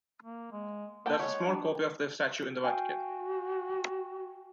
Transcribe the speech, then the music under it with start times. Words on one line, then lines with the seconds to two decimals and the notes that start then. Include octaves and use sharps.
There is a small copy of the statue in the Vatican.
0.23 A#3
0.52 G#3
1.06 A#3 B3 A4 G5
1.19 G#3 B3 C#5
1.47 D4
2.64 F#4 F5 G5 G#5